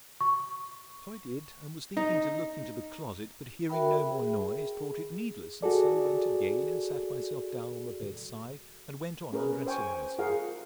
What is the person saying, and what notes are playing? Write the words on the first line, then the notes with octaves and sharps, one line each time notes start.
So I did, and was thinking to look into the closet; but, hearing no more noise, thought it needless, and so went again and sat myself down on the bed-side, and went on undressing myself.
C#6
D#4
F#4 A#4 E5 G5 B5
G#4
F#4 G#4 A4 D5
C#4 G#4 A#4 B4
C5 G5 G#5 C#6
F4 G4 G#4 A#4 F5 F#5